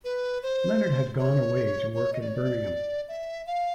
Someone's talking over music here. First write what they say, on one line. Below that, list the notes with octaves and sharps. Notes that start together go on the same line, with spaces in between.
Leonard had gone away to work in Birmingham.
B4
C5
C#5
C#5
D#5
D5
C#5
D5
E5
F5